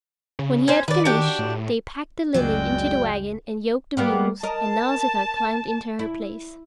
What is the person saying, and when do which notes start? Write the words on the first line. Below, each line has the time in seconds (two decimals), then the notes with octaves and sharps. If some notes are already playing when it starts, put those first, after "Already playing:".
When he had finished, they packed the linen into the wagon, and yoked the mules, and Nausicaa climbed into her place.
0.39 C#3
0.68 C#4 C5
0.88 D#3 B4 D5
1.05 D4 F#4 G4
1.39 A2
2.34 F#1 C#2 F#3 G#3 F#4 D5 G5
3.97 G3 A#3 B3
4.43 A#4 D#5 A5
5.99 E4